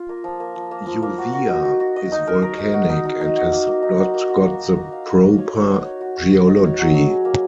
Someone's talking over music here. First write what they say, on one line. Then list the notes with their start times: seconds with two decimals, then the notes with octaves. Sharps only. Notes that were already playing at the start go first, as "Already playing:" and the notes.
Uvea is volcanic and has not got the proper geology.
Already playing: F4
0.09 A#3
0.24 F3
0.40 A#3
0.55 F3
0.71 A#3
0.86 F3
1.02 A#3
1.18 F#4
1.33 F#4
1.49 D#4
1.65 F#4
1.80 F#4
1.96 D#5
2.12 D#4
2.27 A#4
2.42 A#4
2.58 D#4
2.74 F#4
2.90 D#4
3.05 D#4
3.21 D#4
3.37 F#4
3.52 A#3
3.67 A#3
3.83 D#4
3.99 F#4
4.14 A#3
4.29 F#4
4.45 A#3
4.61 F#4
4.76 A#3
4.92 F5
5.07 F#4
5.24 F5
5.38 C#5
5.54 D#4
5.69 F#4
5.85 C#5
6.01 F#4
6.16 C#5
6.32 F#4
6.47 D#4
6.63 C#5
6.79 F#3
6.94 F#3
7.09 G#4
7.25 A#3